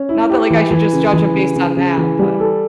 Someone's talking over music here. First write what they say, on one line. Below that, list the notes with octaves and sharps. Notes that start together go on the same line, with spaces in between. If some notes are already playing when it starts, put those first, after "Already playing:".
Not that, like, I should just judge him based on that, but
Already playing: C#4
E4
G4
E3
E3
C#3
E3
C#3
C#3
C#3
E3
G3
A4